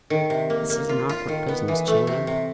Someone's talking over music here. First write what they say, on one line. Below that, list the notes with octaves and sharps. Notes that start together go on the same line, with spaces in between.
"This is an awkward business, Channing."
D#3
C3
A#3
A#3
F4
F4
D#3
B3
E3
A3
C3
C3